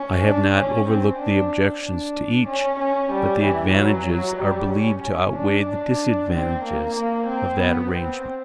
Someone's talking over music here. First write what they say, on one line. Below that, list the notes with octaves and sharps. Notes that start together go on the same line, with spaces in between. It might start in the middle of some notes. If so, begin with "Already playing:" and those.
I have not overlooked the objections to each, but the advantages are believed to outweigh the disadvantages of that arrangement.
Already playing: C#4
D4
C#4
C4
D4
D4
C#4
C#4
G3
E3
F#3
G3
C#4
D4
D4
C4
A#3
A#3
C4
B3
C4